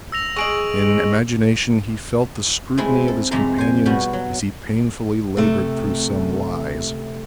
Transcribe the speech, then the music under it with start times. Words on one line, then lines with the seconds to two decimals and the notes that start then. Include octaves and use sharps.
In imagination he felt the scrutiny of his companions as he painfully labored through some lies.
0.12 E6 A#6 F7
0.36 G#3 G#4 D#5 C#6 D7 F#7
2.78 G#3 A3 C4 E4 G#4
3.08 A4
3.31 F2 C3 G#3 A3 A#5
3.58 C5 G#5
3.86 B2 G3 F#4
4.13 F#3
5.37 C3 A3